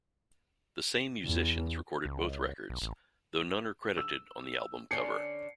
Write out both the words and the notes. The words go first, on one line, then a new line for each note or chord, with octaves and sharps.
The same musicians recorded both records, though none are credited on the album cover.
E2
C#2
B1
A1
E6
D3 C#4 D4 C7 C#7